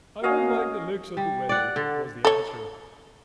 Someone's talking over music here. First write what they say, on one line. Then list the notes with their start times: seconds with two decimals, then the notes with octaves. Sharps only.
"I don't like the looks of the weather," was the answer.
0.23 A#3 C#4 F#4 D#5 F5
1.17 G3
1.49 D5 F#5
1.76 D3
2.25 A4 C#5